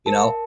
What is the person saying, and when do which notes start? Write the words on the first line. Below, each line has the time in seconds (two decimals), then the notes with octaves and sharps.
You know?
0.06 A#4 A5